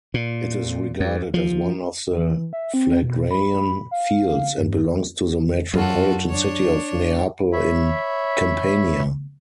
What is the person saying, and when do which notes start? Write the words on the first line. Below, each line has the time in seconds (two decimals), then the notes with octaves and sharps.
It is regarded as one of the Phlegraean Fields and belongs to the metropolitan city of Neapel in Campania.
0.14 A#2
1.00 F2
1.34 F3
2.17 E3
2.53 E5
2.74 C4
3.03 B2
3.31 B5
3.91 F5
4.59 G2
5.74 F#2 F4 F#4 A4
6.29 D4 C#5
7.52 C#5 E5 B5